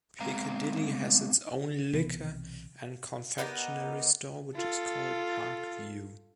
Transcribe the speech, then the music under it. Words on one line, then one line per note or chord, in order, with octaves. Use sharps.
Piccadilly has its own liquor and confectionery store, which is called Parkview.
G#3 B3 C4 F5 A#5
B1 C3 E3 B3
B3 D#4 G4 A#4
F4 A4